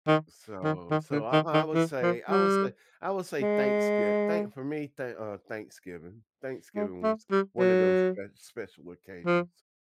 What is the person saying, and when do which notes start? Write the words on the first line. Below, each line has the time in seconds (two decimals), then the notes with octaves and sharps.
So, so, I I would say I would say I would say thanksgi thank for me, thank uh, Thanksgiving. Thanksgiving was one of those sp special occasions.
0.08 D#3
0.63 D#3
0.91 D#3
1.12 D3
1.33 D#3
1.54 D#3
1.74 E3
2.02 F3
2.30 G3
3.42 G#3
6.76 G#3
7.03 A3
7.31 G3
7.59 F#3
9.26 F3